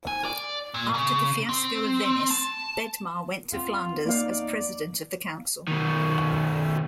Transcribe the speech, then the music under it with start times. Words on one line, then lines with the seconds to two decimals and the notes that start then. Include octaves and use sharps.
After the fiasco of Venice, Bedmar went to Flanders as president of the council.
0.07 G#5
0.25 D5
0.74 A#2
0.94 C#3
1.49 C4
2.31 A5
3.52 E2 B3 C4 F4
4.05 A#3 D#4 D5 F5
5.68 B2 D#3